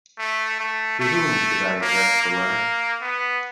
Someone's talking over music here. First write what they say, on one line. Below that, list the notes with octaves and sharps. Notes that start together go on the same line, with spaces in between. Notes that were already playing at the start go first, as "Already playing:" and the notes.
To whom should I address the letter?
A3
A3
A3
A#3
A#3
B3